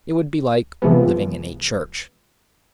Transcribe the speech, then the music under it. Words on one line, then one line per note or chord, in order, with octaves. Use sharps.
It would be like living in a church.
C3 E3 F3 G#3 B3